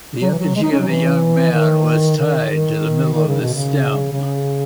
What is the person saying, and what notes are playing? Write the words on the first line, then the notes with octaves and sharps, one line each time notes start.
The effigy of a young man was tied to the middle of the stem.
F#3
E3
F#3
G#3
D#4
C#4
F#3
E3
D#3
D#3
D#3
D#3
C#3
B2
C#3
C#3